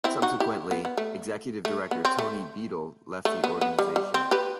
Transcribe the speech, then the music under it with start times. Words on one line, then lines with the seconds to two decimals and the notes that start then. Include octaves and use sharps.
Subsequently, executive director Tony Beadle left the organization.
0.04 C4 E4
0.22 D#4 F#4
0.40 E4 G4
0.71 B3
0.85 B3
0.97 A3
1.65 A3
1.91 B3
2.05 C4
2.19 A3
3.25 A3
3.44 B3
3.61 B3
3.79 G3
3.96 G3
4.14 C4
4.31 G4 B4